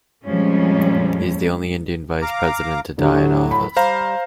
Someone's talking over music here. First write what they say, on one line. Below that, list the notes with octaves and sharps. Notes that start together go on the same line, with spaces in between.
He is the only Indian Vice President to die in office.
F2 A#2 F3 G3 G#3 C#4
F5 A#5 D6
A2 D3 F#3 G4
B5
G3 C5 F5 A#5